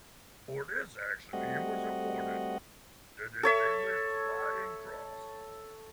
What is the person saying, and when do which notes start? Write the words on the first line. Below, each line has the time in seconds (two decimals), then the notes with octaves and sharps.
For this action he was awarded the Distinguished Flying Cross.
1.33 G3 A3 C4 F#4 D#5 F#5
3.43 A4 C#5 E5